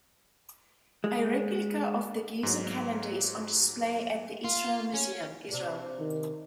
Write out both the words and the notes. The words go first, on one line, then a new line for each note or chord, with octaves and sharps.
A replica of the Gezer calendar is on display at the Israel Museum, Israel.
G#3
G#2 F#3
F4
C#4
C3 D4
D#3